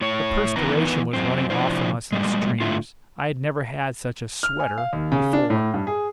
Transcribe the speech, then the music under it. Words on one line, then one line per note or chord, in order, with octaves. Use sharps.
The perspiration was running off from us in streams--I had never had such a "sweater" before!
A2 C#5
E2 D#3 E3 B3 B4 A#5
F#2 C4
C3 F3 C#4 D4 E4 C5
A#2 G3 G#3
A2 D3 A3 F4
F6
G#5
F5
D#2
C#3
D4
A2
G2
G#4